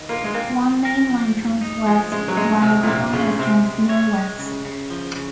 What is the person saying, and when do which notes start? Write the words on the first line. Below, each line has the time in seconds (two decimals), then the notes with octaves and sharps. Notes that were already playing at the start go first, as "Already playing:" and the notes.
One mainline turns west, while the other turns northwest.
Already playing: D#3
0.09 A#3 F4
0.24 G#3
0.34 A#3 C4
0.60 F3
0.85 A#4
1.10 F3
1.36 G#2
1.61 D#4
1.86 F3 G#3
2.12 C#3 G#3
2.28 F#3
2.37 G#3 D#4
2.62 C3 D#3
2.83 A#2
2.87 F2 C3
3.13 C#3 F4
3.39 C3 C4
3.64 G#3
3.89 C#5
4.14 G#3
4.40 C#3
4.65 C#3
4.90 F3
5.16 C#3